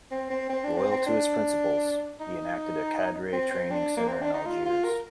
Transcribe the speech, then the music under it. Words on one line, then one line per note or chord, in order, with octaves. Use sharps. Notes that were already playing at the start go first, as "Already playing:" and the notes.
Loyal to his principles, he enacted a cadre training center in Algiers.
C4
C4
C4
D4
C4
C4
D4
D#4
C4
C4
D4
A#3
C4
D4
D#4
F4
F4
A#4